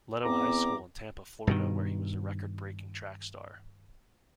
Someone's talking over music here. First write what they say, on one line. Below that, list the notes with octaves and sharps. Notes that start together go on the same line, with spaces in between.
Leto High School in Tampa, Florida where he was a record-breaking track star.
E2 B3 C4 A#5 D6
G2 B2 D#3